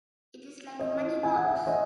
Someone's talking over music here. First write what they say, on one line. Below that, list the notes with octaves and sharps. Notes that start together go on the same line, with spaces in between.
It is like a moneybox!
D#5
G#5
F#5
E5
D#5